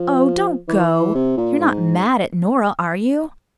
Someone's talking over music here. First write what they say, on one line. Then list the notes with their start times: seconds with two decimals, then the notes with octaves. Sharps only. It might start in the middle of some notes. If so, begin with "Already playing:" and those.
"Oh, don't go; you're not mad at Nora, are you?"
Already playing: F3
0.68 E3
1.15 C3
1.37 A#2
1.61 G#2